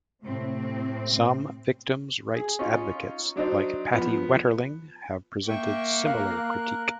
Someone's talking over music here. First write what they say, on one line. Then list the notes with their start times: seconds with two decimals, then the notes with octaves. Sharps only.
Some victims' rights advocates like Patty Wetterling have presented similar critique.
0.24 A2 C3 C4
2.36 G#4
2.59 C#4 D#4 F4
3.36 F#3 D4 D#4 C5
3.93 F3 B3
5.48 A#3 E5 G5 C#6
6.05 A#4 F5 F#6